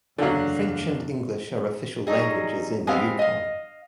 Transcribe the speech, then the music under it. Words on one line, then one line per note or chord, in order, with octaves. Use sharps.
French and English are official languages in the Yukon.
F#1 E2 D3 F#3 D4 F5
F#3 G3 D#4 G#4
G#3 B3 C4 G4 F5
D#5 F5